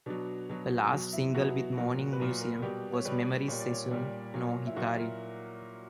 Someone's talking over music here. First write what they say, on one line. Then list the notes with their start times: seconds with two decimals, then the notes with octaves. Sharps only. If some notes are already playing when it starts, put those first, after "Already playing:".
Her last single with Morning Musume was Memory Seishun no Hikari.
0.06 B2 F#3 D4
0.49 B2 F#3
0.91 B2 F#3
1.13 E4
1.34 B2 F#3 F#4
1.77 A#2 F#3
2.13 B4
2.20 A#2 F#3 A#4
2.41 A#4
2.62 B2 G3 G4
2.94 C#5
3.05 B2 G3 B4
3.48 A#2 G3 C#5
3.60 D5
3.72 C#5
3.91 A#2 G3
4.34 A#2 F#3
4.67 E4
4.76 A#2 F#3 F#4
4.98 A#4